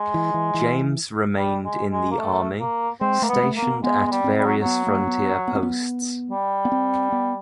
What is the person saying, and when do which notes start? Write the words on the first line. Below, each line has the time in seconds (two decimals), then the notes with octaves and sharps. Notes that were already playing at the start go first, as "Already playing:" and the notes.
James remained in the army, stationed at various frontier posts.
Already playing: G#3
0.14 E3
0.34 E3
0.54 E3
1.37 G3
1.64 G#3
1.92 G#3
2.11 A#3
2.19 A3
2.60 A#3
3.01 G#3 C4
3.22 A3 A#3
3.29 G#3 B3
3.43 A3
3.56 A#3
3.62 B3
3.83 G#3 B3
4.06 G#3
4.11 G3
4.24 C4
4.38 G3
4.46 F#3
4.61 F#3 B3
4.87 A#3
5.07 B3
5.48 B3
5.55 C4
5.63 B3
6.31 G3
6.65 B3
6.72 C4
7.12 B3